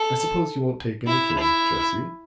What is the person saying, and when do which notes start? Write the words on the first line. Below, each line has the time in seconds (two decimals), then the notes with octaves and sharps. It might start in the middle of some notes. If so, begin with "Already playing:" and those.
"I suppose you won't take anything,--Jessie?"
Already playing: A4
1.08 E4
1.40 E4